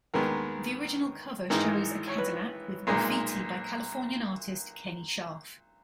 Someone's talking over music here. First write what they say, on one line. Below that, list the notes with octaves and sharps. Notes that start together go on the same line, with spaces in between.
The original cover shows a Cadillac with graffiti by Californian artist Kenny Scharf.
D#2 D#3 G#3 B3 A#4
G#1 G#2 E3 G#3 D#4 A#4
C#5
B4
B1 A#2 G#3 D#4